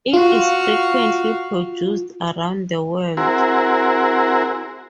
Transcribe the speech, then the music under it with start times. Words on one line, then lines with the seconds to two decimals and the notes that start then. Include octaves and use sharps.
It is frequently produced around the world.
0.13 F4 F#4 F5
3.17 C4 E4 F#4 G#4 A#4